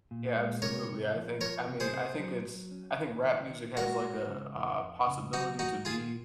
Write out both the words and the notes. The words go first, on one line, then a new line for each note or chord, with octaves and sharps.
Yeah, absolutely, I think I mean, I think it's I think rap music has, like, a a possibility to be
A#2
G#3
C3 A#4 C#5
C3
F3
F3 A#4 C#5
C3
G#4 C5
C3
F#3
F#3
C#4
D#3
D#3
D#3
G#3 F#4 A#4
G#3
C#3
F2
F2
C#3
F#3 D#4 F#4
D#3 D#4 F#4
D#3 F4 G#4